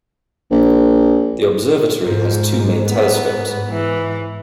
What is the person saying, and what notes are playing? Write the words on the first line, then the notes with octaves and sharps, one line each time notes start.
The observatory has two main telescopes.
A#1
G#2 F3
B3
E3